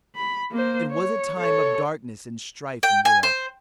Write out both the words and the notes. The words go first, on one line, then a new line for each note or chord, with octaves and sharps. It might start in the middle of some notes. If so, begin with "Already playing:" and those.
It was a time of darkness and strife in Europe.
B5
A#3 C5
C#5
A4 C#5
G5
G#5
C5